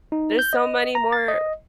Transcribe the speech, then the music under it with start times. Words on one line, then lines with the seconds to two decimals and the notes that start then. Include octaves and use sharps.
there's so many more
0.12 D#4
0.39 G6
0.53 D#5
0.95 A#5
1.12 A6
1.28 D#5